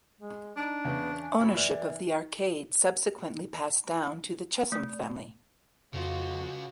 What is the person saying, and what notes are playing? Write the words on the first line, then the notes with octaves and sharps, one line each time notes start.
Ownership of the arcade subsequently passed down to the Chesham family.
G#3
D4 D#4
E2 C#3 B3
G#5
F#2 B5
E3 D5 F6 F#6
A3
F2 C#3 F4 F#4